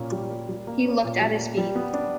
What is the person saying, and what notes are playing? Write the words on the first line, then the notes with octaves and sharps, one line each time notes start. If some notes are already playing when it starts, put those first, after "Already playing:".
He looked at his feet.
Already playing: A#2 A#3 C#4
G3
A#3
G3
A#3
C#4
A#2
G3
A#3
G3
B3
D4